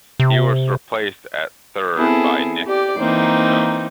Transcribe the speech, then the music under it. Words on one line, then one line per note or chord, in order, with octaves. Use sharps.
He was replaced at third by Nick Punto.
C3
B3 C4 E4 G#4 A4
G4 D5
E3 A#3 C4 D#4